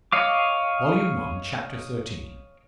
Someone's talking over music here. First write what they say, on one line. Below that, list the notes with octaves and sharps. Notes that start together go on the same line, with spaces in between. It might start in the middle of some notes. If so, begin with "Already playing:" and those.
Volume One, Chapter XIII.
C#5 D#5 F5 D6